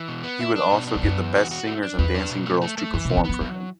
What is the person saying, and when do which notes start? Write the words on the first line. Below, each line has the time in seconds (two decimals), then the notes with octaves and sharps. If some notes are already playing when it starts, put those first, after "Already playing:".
He would also get the best singers and dancing girls to perform for him.
Already playing: E3
0.08 B2
0.24 B3
0.40 E4
0.56 D4
0.72 B2
0.87 D4
0.96 E2
1.03 F#2 B3
1.20 E2
1.35 F#4
1.51 F#4
1.67 A3
1.83 D4
1.99 E2 B4
2.14 D4
2.30 B2
2.46 A3
2.62 A3
2.78 A3
2.94 F#2 E3
3.05 B2
3.09 B3
3.17 D3
3.25 E3 B3
3.41 E3 F#3